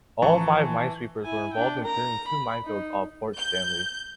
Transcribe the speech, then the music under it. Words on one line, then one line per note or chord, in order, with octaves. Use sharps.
All five minesweepers were involved in clearing two minefields off Port Stanley.
A1 E3 F3 A5 A#5 C#6
E4 G#5
D4 G5
A#4 A#5
B5
D#4
G6